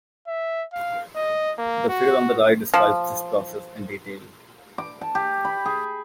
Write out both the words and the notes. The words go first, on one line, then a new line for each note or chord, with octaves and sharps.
The figure on the right describes this process in detail.
E5
F5
D#5
A#3
F#4
F3
D6
A5
G4
B5
G#4